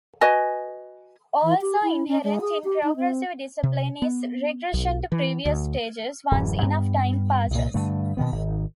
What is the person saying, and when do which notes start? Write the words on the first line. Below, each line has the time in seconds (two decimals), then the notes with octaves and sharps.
Also inherent in progressive discipline is regression to previous stages once enough time passes.
0.21 F#4 B4 D#5 G#5
1.42 E3
1.61 G4
1.83 E4
2.08 C#4
2.24 G#3
2.41 G#4
2.64 G4
2.83 D#4
2.96 C4
3.63 C3
4.02 B3
4.74 B1
5.12 E3
5.45 D2
6.31 D1 F#2 E3
6.62 G2 G3 B3
7.51 C2 A#2
7.74 G2 D3 A3
8.17 B2 D#3 B3
8.31 G#1 D#3